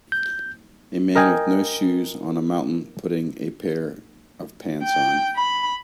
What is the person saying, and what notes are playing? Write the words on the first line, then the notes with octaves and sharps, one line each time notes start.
A man with no shoes on a mountain putting a pair of pants on.
G6
A#4 D#5 G5 G#5
G5
B5